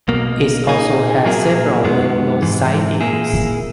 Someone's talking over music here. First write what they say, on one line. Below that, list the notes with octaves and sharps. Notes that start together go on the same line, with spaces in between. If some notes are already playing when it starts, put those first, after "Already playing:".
It also had several railroad sidings.
B1 B2 A#3
A#2 A#3 D#4 G#4
A#2 F#3 A#3 E4 G#4
F#2 D#3 G#3 B3
G#2 E3 G#3
A#2 A#3 E4 G#4